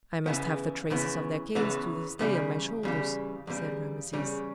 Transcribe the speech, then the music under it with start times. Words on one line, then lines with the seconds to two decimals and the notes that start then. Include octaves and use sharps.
"I must have the traces of their canes to this day on my shoulders," said Rameses.
0.26 E2 C#3 E3 B3
0.90 E2 C#3 E3 B3
1.55 E2 C#3 E3 B3
2.19 E2 C#3 G3
2.83 E2 C#3 G3
3.47 E2 C#3 G3
4.13 E2 C#3 G3